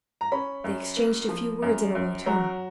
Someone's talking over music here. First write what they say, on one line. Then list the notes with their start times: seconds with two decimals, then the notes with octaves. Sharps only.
They exchanged a few words in a low tone.
0.21 A#5
0.32 C#4 B5
0.64 F#2
0.97 A#3
1.29 F3
1.62 F#2
1.95 F#2
2.26 F#3 A#5